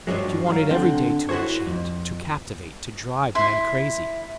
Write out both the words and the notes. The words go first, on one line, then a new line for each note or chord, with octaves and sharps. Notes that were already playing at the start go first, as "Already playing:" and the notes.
She wanted every day to enchant, to captivate, to drive men crazy.
G2 F3 F#3 G#3
F#3 F5
D3 C4 G5
E4 F#4 A4 C5 C#5
F2
E4 C6